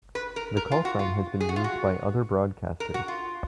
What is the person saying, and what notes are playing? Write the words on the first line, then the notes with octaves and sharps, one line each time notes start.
The call sign has been used by other broadcasters.
B4
A#4
A#4
F4
F#4
F4
G#4
F#4
F4
F#4
A#4
F#4
F4